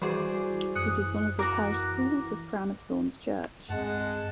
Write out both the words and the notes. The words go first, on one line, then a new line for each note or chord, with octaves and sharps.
It is one of the parish schools of Crown of Thorns' Church.
E3 G3 F#4 G#4 C5 D5
F#2 D#6 F#6 C#7
F#4 A#4 D6 A#6
G2 G#3 C4 F#5 A5